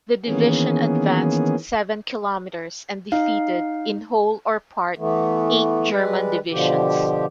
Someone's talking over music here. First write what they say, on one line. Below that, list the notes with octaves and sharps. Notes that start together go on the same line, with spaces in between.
The division advanced seven kilometers and defeated, in whole or part, eight German divisions.
D#3 E3 A#3 B3 C#4 G#4
D#4 F5
E3 A3 B3
G3 G#3 B4
B2 D3 F3 G4